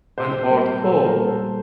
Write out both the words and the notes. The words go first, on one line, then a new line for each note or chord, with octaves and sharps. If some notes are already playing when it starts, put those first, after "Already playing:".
An art hole.
A#2 C5
G3 A#3 A#4
A#2 A4
A#4
G3 A#3
A4